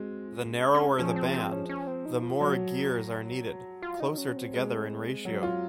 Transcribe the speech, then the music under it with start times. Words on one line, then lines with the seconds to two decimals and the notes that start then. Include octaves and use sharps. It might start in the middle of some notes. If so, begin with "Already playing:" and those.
The narrower the band, the more gears are needed, closer together in ratio.
Already playing: G#3 C4 F#4
0.28 F4
0.51 C#4
0.74 C#4
0.98 F3 C#4
1.16 C4
1.34 C4
1.52 C#4
1.69 C#4
1.87 C4
2.05 D#4
2.22 F4
2.40 F#3 F#4
3.82 F4
4.00 D#4
4.18 C#4
4.36 C4
4.54 G#3
5.25 F#3
5.43 F4